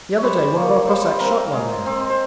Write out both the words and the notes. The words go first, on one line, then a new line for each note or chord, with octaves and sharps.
The other day one of our Cossacks shot one there.
C#5
G3 C5
A#3 C#5
G3 C5
C4 A#4
G#3
C4
C5